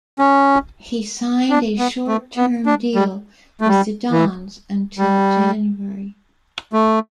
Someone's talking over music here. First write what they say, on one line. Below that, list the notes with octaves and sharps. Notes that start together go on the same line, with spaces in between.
He signed a short-term deal with the Dons until January.
C#4
D4
B3
A3
B3
D4
G3
A3
G3
E3
G3
A3